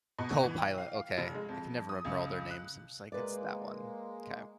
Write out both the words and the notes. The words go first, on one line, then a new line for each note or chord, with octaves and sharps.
Copilot, okay. I can never remember all their names, I'm just like, "It's that one." 'Kay.
B2
E3
G5
F5
F1
G#3
F2
D#6
C#2
F#6
G#3 A#3 B4 D5